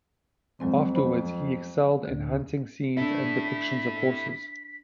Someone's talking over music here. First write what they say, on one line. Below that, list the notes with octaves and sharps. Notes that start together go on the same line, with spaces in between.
Afterwards he excelled in hunting scenes and depictions of horses.
F2 F#3 G#3 C4
C5 B5
D2 D3
D4 E4 A4 E5 B6